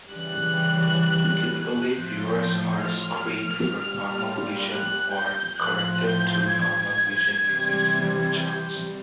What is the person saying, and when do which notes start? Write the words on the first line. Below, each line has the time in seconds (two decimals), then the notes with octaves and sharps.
Typically, viewers are screened for normal vision or corrected-to-normal vision using Snellen charts.
0.11 C#3 E3 G3 F#6
1.94 A2 F3 G6
2.85 F6
3.76 A#2 G3
4.68 F#6
5.13 G6
5.59 A2 F3 F#6
6.04 G6
6.51 G#6
7.42 C3 E3 G3
8.33 G6